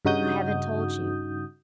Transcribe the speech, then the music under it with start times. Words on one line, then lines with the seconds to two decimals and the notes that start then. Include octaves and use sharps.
I haven't told you.
0.05 G2 C#3 D#4 F#4 D#6 G6